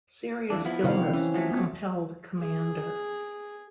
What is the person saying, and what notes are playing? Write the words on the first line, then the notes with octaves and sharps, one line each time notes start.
Serious illness compelled Comdr.
F2 E3 D4
F3 B3 E4
C3 D#3 C4 F5
E3 C#4
F3 F#3 A3
B3
G#4